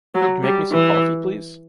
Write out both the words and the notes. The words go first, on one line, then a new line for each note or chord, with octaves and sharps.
Could you make me some coffee, please?
F#3
G3
E3